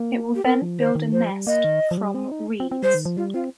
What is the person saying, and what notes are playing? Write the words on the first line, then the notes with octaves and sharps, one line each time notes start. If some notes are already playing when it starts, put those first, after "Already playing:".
It will then build a nest from reeds.
Already playing: A#3
G4
C4 A#4
F3
D#3 C5
D#3
F3 C5
G3
A#3 D#5
D#3
F3
G3
C4
D#4
C4
C4
G3 C5
D#3
F3
G3 F4
C4 F4